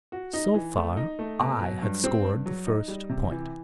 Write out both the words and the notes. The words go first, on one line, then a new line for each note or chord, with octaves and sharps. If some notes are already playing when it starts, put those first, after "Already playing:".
So far I had scored the first point.
F#4
D#4
E3
A3
D#4
A3
B2
F#3
G2
C4
G2
F#3
D#4
G3
C3
E3